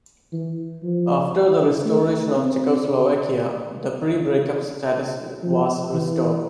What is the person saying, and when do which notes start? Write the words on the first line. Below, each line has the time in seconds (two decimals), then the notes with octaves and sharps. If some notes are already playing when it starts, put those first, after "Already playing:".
After the restoration of Czechoslovakia, the pre-breakup status was restored.
0.33 E3
0.83 F3
1.85 A3
2.36 C4
5.43 F3
5.94 E3